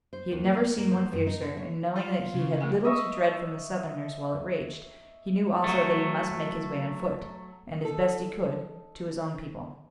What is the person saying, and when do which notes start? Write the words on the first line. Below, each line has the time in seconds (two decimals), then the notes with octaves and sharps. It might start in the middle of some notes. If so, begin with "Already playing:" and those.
He had never seen one fiercer, and knowing that he had little to dread from the Southerners while it raged he knew also that he must make his way on foot, and as best he could, to his own people.
0.13 C5
0.31 D#2
0.44 A#3
0.56 D5
0.78 A#3
0.91 F3
1.12 G2
1.27 D#4
1.42 D3
1.57 C#5
1.96 F4
2.35 C#3
2.61 A3 G#4 G#5
2.84 D#5 E5 C#6 D#6
5.64 F#3 A3
7.81 D#4 A4